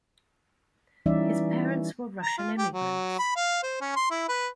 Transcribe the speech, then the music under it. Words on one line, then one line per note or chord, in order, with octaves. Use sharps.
His parents were Russian immigrants.
E3 G3 C#4 D#4 D5 E5
A#5
F4
G4
F#3
B5
F5
C5
C#4
C6
E4
B4